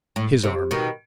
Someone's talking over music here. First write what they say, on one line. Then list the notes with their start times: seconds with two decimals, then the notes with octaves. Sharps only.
His arm.
0.16 A2
0.43 C3
0.71 B2 D#3